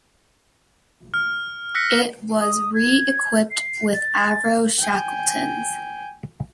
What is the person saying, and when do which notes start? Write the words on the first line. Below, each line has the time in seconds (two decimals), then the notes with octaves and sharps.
It was re-equipped with Avro Shackletons.
1.14 F6
1.75 E6 F#6 A#6 B6 C#7
2.41 D#6
2.74 G#6
3.51 C7
3.93 A6
4.80 G5 G#5